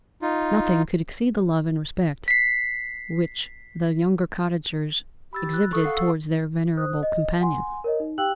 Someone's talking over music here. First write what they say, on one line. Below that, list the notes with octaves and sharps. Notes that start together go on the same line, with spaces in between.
Nothing could exceed the love and respect which the younger cottagers exhibited towards their venerable companion.
D#4 F4
B6 C7
G4 B5 E6 A6
F#6
A4 C#6 D#6 E6
F5 F#5 C7
C5 D#6 F#6
D#5
F#5 G#5 C6
A#4 C#5 D#5
D#4
G4 F5 G5 E6 F#6 F#7